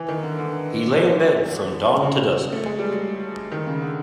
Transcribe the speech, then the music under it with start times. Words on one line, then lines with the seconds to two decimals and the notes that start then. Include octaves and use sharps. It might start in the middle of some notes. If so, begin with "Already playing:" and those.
He lay in bed from dawn to dusk.
Already playing: E3
0.08 D#3
0.23 D3
0.38 D3
2.02 C#3
2.53 A3
2.66 G#3
2.79 G3
2.92 F#3
3.52 D#3
3.67 C#3
3.82 D3